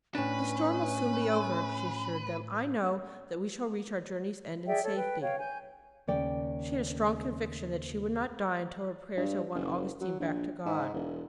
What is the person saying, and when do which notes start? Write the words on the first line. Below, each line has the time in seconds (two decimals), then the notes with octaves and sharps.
"The storm will soon be over," she assured them; "I know that we shall reach our journey's end in safety." She had a strong conviction that she would not die until her prayers had won Augustine back to God.
0.15 A2 C#4 D4 B4
4.66 G#4 D5 E5 G5
4.82 A4 C#5
4.96 B4 G5
5.21 C#5 F5 G5
5.39 G#5 G6
6.07 D#2 C#3 D5 G5
9.17 G2
9.55 F#1
10.01 F#3
10.20 A#1
10.66 G#2
10.94 E1